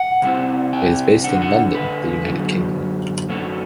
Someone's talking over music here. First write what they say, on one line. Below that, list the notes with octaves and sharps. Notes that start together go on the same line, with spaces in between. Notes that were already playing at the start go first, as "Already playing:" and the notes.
It is based in London, the United Kingdom.
Already playing: F#5
C3 G3 C4 E4
G5
D3 A3 D4 F#5
F#5
B4
F#2 D3 F#3
F#2 F#3 A3